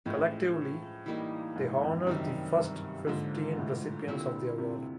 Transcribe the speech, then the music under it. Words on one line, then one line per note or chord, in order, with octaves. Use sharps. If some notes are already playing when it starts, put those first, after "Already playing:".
Collectively, they honor the first fifteen recipients of the award.
A2 F3 G#3 C#4
E3 G3 A#3 D#4
G#2
F2
F#2 C3 D#3 G3
G2
G#2 D3 F3 A#3
A2
A#2 D3 G3 C4 E4
C3